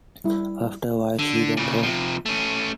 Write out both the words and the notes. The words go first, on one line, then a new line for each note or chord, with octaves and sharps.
After a while she went home.
G3 E4
D3
A#2 C#3
C3 F3
A3 C#4